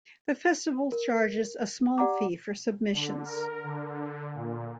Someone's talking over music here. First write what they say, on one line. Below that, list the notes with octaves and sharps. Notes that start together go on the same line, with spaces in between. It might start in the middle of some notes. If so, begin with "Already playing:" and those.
The Festival charges a small fee for submissions.
A#4
G4 D5 F#5 A#5 D6
D3
A#4
D3
A#2